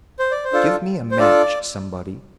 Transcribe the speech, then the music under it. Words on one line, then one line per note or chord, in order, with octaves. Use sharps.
Give me a match somebody....
C5
D5
C5
D4 F4 A4
C5
D4 F4 A4 D5